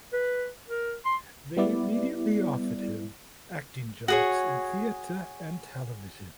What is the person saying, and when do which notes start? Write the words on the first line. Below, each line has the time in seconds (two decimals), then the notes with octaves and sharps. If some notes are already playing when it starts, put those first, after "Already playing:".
They immediately offered him acting jobs in theater and television.
0.13 B4
0.68 A#4
1.05 C6
1.57 G3 B3 E4 D5
4.08 F#4 G#4 C#5